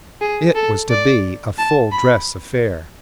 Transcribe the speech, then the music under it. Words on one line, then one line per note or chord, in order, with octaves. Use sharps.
It was to be a full-dress affair.
G#4
A4
D5
A5
B5